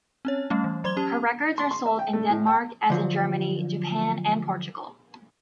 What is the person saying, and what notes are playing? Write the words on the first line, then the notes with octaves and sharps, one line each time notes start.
Her records are sold in Denmark as in Germany, Japan and Portugal.
C4 C#4 C#5
G3 A3 C#4
E3
F#3 C5 C6 G#6 G7
C#4 G4 A5
C6
C6
E5
G5
A3
A2
G5
D3 F3 F#3